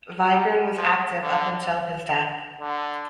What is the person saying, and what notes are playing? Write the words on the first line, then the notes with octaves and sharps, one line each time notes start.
Vigran was active up until his death.
G3
F3
D3
D3